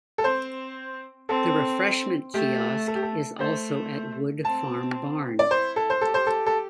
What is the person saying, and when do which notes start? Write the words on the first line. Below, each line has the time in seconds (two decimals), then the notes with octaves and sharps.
The refreshment kiosk is also at Wood Farm Barn.
0.18 A4
0.23 C4 C5
1.29 C4 A4
2.34 A3 G4
2.88 A4
2.95 G4
3.03 A4
3.39 A3 C5
4.45 C4 A5
5.39 D5
5.50 E4 C5
5.76 A4
5.90 C5
6.01 G4 A4
6.14 C5
6.27 A4
6.46 A4